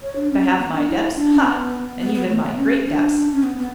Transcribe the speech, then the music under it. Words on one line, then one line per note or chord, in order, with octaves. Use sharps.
But I have my depths; ha, and even my great depths!
C#5
D4
C#4
B3
D4
E4
D4
C#4
B3
B3
B3
A3
B3
C#4
D4
C#4
B3
B3